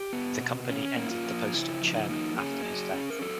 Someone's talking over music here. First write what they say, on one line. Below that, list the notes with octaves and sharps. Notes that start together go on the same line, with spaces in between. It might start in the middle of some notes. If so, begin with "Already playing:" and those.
The company ended the post of chairman after his death.
Already playing: G4
B3
B2
C#4
A#3
E4
F4
F3
C#3 E4
F3
D#4
E4
A#3 D#4
C#4 G#4
F#3
C#4
A#4
F#3 A4